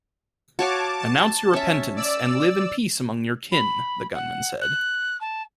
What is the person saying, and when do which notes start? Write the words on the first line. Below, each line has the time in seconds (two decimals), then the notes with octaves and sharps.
Announce your repentance and live in peace among your kin, the gunman said.
0.59 F#4 C#5 F5 A5 D6
0.99 A5
1.53 C#4 E5
1.96 D5 E6
3.51 B5
4.13 F#5
4.61 F#6
5.21 A5